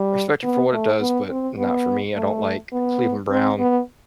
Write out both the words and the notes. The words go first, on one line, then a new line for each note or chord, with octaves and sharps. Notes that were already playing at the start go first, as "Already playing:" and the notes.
I respect it for what it does, but not for me. I don't like Cleveland Brown
Already playing: G3
B3
A3
B3
C4
B3
A3
B3
C4
B3